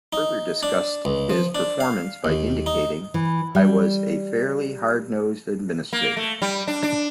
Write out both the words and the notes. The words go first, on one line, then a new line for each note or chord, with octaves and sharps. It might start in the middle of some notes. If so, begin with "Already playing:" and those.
He further discussed his performance by indicating, I was a fairly hard-nosed administrator.
D#4
D4
C#2
F3
D4
F5
D#2
D#4
E3
G3
A#3
A3
G3
D4
D4